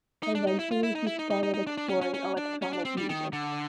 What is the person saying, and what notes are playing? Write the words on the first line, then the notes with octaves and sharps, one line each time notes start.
Eventually he started exploring electronic music.
D#4
D4
D#4
E4
F4
E4
D#4
E4
D#4
D#4
D#4
D#4
D4
D4
C#4
C#4
C#4
D4
C#4
D4
C4
G3
D#3
D3